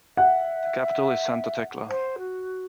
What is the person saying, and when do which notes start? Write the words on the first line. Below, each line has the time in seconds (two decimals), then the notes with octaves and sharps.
The capital is Santa Tecla.
0.17 E5 F#5
1.89 C5
2.18 F#4